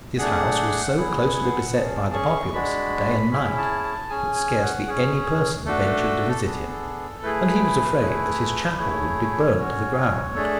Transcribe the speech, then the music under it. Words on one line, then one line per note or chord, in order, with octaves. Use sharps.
His house was so closely beset by the populace, day and night, that scarcely any person ventured to visit him; and he was afraid that his chapel would be burned to the ground.
A3 D4 G#4 F#5
B3 E4 G#4
C#4 G#4 A5
C#6
G#3 D4 F#4 B5
C#4 E4 G#4 B5
A5
A5
C#4 G#4 G#5
G#5
F#5
C#4 G#4
A3 D4 F#4 A4
B3 D4 G#4
A3 E4 G#4 B4
A3 E4 G#4
A3 E4 G#4 C#5
C#4 F#4
A3 D4 G#4 A4